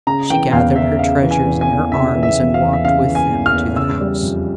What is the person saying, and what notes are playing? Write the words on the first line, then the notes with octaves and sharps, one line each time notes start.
She gathered her treasures in her arms and walked with them to the house.
C#3 A#5
E3 G5
E2 F5
E2 E5
C#3 F5
E3
G#5
E2
G#5
E2
C#3 E5
E3
E5
E2
F5
E2
E5
C#3 F5
E3
G#5
E2
F6
E2
C#3 E6
G3
F2